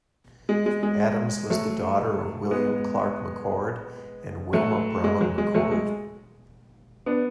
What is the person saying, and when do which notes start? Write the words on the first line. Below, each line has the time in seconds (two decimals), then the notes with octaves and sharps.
Adams was the daughter of William Clark McCord and Wilmah Brown McCord.
0.49 G#3
0.66 G#3
0.83 G#3
1.50 F#3 A3
2.51 G#3 B3
4.53 F#3 A3
5.04 G#3
5.21 F#3
5.38 G#3
5.54 F#3 A3
5.71 G#3
7.06 B3 D4